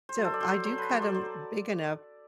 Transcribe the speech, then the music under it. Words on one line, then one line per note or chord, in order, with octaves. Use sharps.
so, I do cut 'em big enough
C5
F#3
A4
D5
F#3 C5
D5
F#3 C5
B4
F#3 C5
D5
F#3 D5